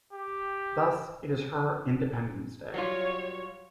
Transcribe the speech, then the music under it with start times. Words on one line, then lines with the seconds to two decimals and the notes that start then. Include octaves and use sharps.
Thus, it is her Independence Day.
0.13 G4
2.74 F#3 G3 F4 C#5